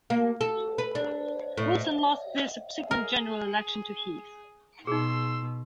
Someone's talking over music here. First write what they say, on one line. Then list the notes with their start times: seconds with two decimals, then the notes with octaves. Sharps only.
Wilson lost the subsequent General Election to Heath.
0.10 A#3
0.41 A4
0.78 B4
0.95 D4
1.57 A2
2.91 G#4 A#4
4.87 B2 D#4 G#4 C6 E6